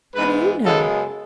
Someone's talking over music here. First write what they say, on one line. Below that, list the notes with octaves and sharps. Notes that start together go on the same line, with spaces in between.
"How do you know?"
G#2 E3 G#3 B3 B4
F#2 C#3 G#3 B3 A4